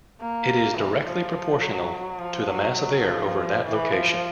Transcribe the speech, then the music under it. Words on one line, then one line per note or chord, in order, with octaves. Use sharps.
It is directly proportional to the mass of air over that location.
A#3
E3
F3
F#3
F3
F#3
F3
E3
F3